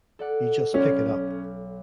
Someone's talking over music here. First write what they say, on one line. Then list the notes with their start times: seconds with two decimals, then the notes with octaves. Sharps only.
You just pick it up.
0.19 A4 D5 F#5
0.74 B1 C#4 D5 F6